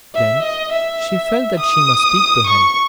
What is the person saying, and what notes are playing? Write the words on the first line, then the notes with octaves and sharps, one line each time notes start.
Then she felt that she must speak to him.
E5
D#5
E5
D#6
C#6